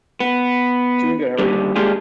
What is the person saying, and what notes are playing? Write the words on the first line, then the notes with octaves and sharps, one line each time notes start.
Doing good, how are you?
B3
D#2 D3 G3
G#3 A#3 D4 F4 G4 G#4